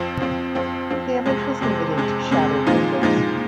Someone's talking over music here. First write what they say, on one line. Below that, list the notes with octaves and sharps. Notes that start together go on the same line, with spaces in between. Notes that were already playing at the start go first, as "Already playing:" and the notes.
Damage was limited to shattered windows.
Already playing: F2 F3 C4
F2 F3 C4
F2 F3 C4
F2 F3 C4
F2 C3 G#3
F2 C3 G#3
F2 C3 G#3
F2 C3 G#3
A#2 F3 G#3 D#4
A#2 F3 G#3 D#4